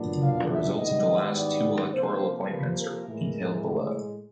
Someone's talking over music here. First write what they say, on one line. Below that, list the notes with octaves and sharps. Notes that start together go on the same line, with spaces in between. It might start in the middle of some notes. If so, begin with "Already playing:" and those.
The results of the last two electoral appointments are detailed below.
Already playing: A#2 F#3 B3 D4
F5
E5
G#2 D#3 G3 B3 E4 D#5
D5
C3 F3 A#3 C5
B4
A#4
A2 E3 G#3